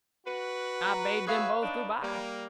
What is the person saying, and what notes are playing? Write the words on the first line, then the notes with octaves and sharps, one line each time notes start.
I bade them both good- by.
F#4 B4
A#5
F#4 G#4 B4 C#5 E5 F5
D4 D#4
G3 A#3